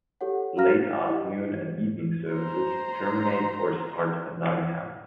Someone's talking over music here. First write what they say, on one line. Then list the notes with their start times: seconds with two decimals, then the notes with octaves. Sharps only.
Late afternoon and evening services terminate or start at Nottingham.
0.21 G4 A4 C#5 F#5
0.57 F#4 F5 A#5 F6 A#6
0.70 A6
1.08 E4 G4 D5 D#5
2.31 C5 A#5